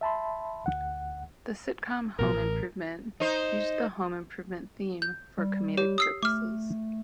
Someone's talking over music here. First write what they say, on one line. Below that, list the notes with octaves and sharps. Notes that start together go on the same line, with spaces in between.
The sitcom "Home Improvement" used the home improvement theme for comedic purposes.
E5 A5 B5 C6
D2 F#5
A1 B2 F#3 A#4
A1
D#4 C5
G6
G3
G4 C#5
D#6 E6 C7
A3 D6 F6